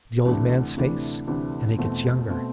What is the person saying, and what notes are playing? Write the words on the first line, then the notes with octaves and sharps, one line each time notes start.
The old man's face, and it gets younger.
D2 C3 E3 A3 D4
D2 C3 E3 A3 D4
D2 C3 E3 A3 D4
E2 B2 A3 C4
B2 A3 C4